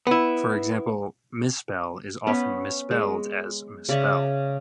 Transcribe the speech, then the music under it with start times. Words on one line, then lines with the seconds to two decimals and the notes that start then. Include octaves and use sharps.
For example, "misspell" is often misspelled as "mispell".
0.07 B3 E4
2.27 B3 C#4 B4
2.91 G#3
3.89 C#3 D5 E5 C#6